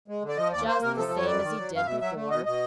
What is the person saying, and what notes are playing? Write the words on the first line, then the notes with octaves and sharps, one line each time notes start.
"Just the same as he did before?"
G#3
D3
D5
F3 D#5
D#2 D5
A#3 C5
C3 A#4
F3 A4
F2
C#5
F#2 D5
D#3
F#3
F#2
F5
B2 E5
F#3 E5
A3
B2 D#5
B2 D#5